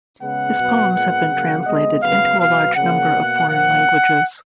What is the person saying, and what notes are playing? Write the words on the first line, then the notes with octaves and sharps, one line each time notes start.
His poems have been translated into a large number of foreign languages.
C#3 G#3 B3 F#5
B2 F#3 B3
A#2 G#3 B3
C#3 F#3 A#3
B2 G#3 B3 D#5
C#3 F#3 B3 F5
B2 F#3 B3 F5
C#3 F3 A#3 F#5
B2 A#3
A#2 F3 A#3 F#5